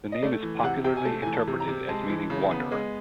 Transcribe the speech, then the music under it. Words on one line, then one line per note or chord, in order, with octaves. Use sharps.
The name is popularly interpreted as meaning wanderer.
D#5
A3 D5
E3
C3 F#5
C3 G5
G#5
A3 A5
E3 G#5
A5
C3
A#5
C3
G#3 A5
E3
C#3
B3
G#3